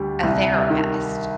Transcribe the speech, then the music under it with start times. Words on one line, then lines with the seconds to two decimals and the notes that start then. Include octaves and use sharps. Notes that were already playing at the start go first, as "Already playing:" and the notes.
a therapist
Already playing: D2 G3
0.23 C2
0.70 D#3